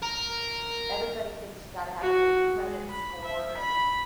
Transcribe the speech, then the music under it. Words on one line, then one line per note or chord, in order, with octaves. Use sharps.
everybody thinks you gotta have a good credit score and
A#4
F#4
G#3
B5
E5
B5